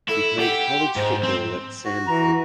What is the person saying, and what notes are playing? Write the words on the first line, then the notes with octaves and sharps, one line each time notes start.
He played college football at Samford.
E4 A4
G4 F#5
C6
G#2 C5
C4
F#4
E3 A#5